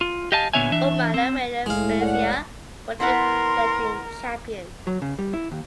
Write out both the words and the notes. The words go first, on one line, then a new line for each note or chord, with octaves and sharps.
Umana Reyer Venezia were the defending champions.
F4
G4 D#5 F5 G#5 A5
A#2 D3 B3 C#5 E5 G#5
E3 D4 E5
C4
C2 A2 G#3 F5
C#5 D5 F#5
B3 E4 A#4 F#5 C6
F#3
C#3
G3
E4
D#2